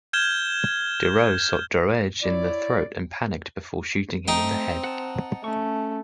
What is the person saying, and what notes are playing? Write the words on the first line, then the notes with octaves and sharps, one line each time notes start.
Deroux shot Droege in the throat, and panicked before shooting him in the head.
F6 G6 G#6 E7 G7
E4 C#5 D5
A3 C4 D#4 G5
F#5 A5
A3 C#4 C#6